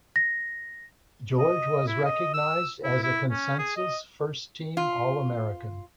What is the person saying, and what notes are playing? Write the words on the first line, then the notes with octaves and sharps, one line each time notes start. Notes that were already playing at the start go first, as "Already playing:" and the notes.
George was recognized as a consensus first-team All-American.
A#6
D#5
E4
D#5
E6
E4
E4
C#4
G#4
D#5
F4